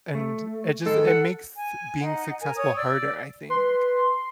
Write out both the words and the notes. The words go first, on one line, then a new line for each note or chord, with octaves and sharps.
And it just it makes being successful harder, I think,
A3
D#3 G#3 A4
F#5
G#5
D#4 F#5
A#4 G#5
C#5 D#6
D5 E6
B4 C6